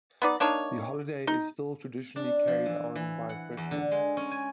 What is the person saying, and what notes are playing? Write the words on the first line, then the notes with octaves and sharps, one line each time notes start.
The holiday is still traditionally carried on by freshmen.
B3 D#4 D5
A#3 D4 D#4 C#5
D#4
D4
F3
E3
E3
F#5
E2
D3
G#3
C#4
G#5